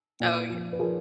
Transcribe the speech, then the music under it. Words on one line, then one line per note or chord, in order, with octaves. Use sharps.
Oh, yeah.
A#2
F3
B4
F3 G#4 A#4